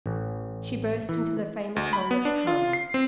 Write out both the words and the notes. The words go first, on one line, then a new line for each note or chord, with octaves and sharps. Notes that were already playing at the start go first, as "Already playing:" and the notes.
She burst into the famous song of CARMEN.
A1
E3
D2
B5
B3
D4
F4
C7
C4